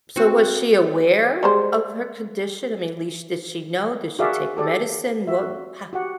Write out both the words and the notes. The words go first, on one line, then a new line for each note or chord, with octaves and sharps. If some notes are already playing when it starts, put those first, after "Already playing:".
So was she aware of her condition? I mean, at least, did she know? Did she take medicine? What ha
C4 F#4
G3 G#3 C5
F#4 G#4 A#4 D5 E5 F5
G4 A4 D5
F#4 E5
F#4 G4 F#5